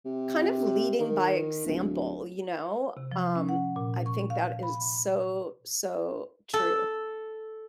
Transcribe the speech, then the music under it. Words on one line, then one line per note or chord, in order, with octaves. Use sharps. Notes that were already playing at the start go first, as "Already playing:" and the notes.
kind of leading by example, you know, um, I think that is so, so true.
C3
D#3
D1
C3
F3
C#4
F#5
A#2
C#6
F5
B5
A4